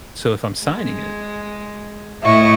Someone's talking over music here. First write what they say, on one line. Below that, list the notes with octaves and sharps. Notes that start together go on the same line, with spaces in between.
So, if I'm signing it,
G#3
A2 E4 D#5 E5 C#6